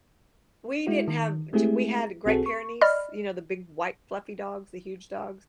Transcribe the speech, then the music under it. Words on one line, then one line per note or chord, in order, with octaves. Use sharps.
we didn't have g we had Great Pyrenees, you know, the big, white, fluffy dogs, the huge dogs,
G#3 E4 F#4
D#3
G#3 A3 C4 E4 G4 G#4
B1 C4 F#4 G#4 A4
C#6
D5 D#5 B5 F6